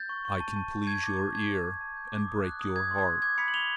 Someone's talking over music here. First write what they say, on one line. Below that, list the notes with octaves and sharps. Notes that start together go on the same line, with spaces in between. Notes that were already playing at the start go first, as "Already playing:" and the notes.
I can please your ear and break your heart.
Already playing: G6 A6
C#6
C#6
A5
A5
A5
A5 G#6
D6
A5
A5 G#6
D6
A5
A5
G6
D6
D#6
F#6
D#6
D#6 G#6
C6
G#6
F#6
D6 G#6
B5 B6 C#7
F#7
B5 F7 G7